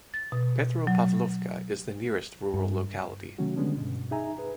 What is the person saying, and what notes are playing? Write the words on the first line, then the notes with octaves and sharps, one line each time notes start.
Petropavlovka is the nearest rural locality.
A6
B2
F#3
G2
C3 D#3 F#3 A3 C#4 F#4
D3 G3 G#3 B3 C#4 D4
G2 B2
D#4 G#4 E5 G#5 A#5
G#4 B4